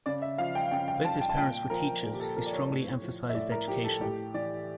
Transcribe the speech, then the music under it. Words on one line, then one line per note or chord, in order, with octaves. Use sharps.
Both his parents were teachers; who strongly emphasised education.
C#3 D5
E5
F3 F5
G5
C#3 G5
G5
F3 A5
G5
A5
A#2 G5
F3 A#4
A#2
G4
A4
F3 A#4
D5
C#5
A2
F3
E5
A2 D5
A#4
F3 G4
A4
A2 G4
E3 D5